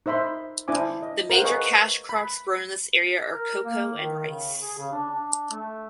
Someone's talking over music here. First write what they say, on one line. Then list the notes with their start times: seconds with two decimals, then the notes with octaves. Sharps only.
The major cash crops grown in this area are cocoa and Rice.
0.06 D#4 C5 E5 B5 C6
0.68 D4 E4 C5 G#5 D6
1.03 D#5
1.30 A#4 C5 F5 F#5
1.43 G#4 B4 D#5 F5 G#5 C#6
2.09 B5
3.33 A#4
3.65 A#3
3.95 D#3
4.26 C#3
4.60 G#4
4.78 C#3
4.92 D4
5.10 D4
5.51 A3